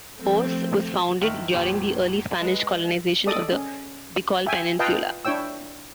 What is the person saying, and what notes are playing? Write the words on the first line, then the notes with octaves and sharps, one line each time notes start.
Oas was founded during the early Spanish colonization of the Bicol Peninsula.
F3 A3 C4
G1 D#3 E5 C#6 F6 F#7
F1 A#2 F3 G4 C#6 D#7
G#3 B4
A4 D5 D#5 D#6
C#4
E5 G5 G#5
F4 B4 D#5 F5 G5 A5
D4 E4 C#5 G5 E6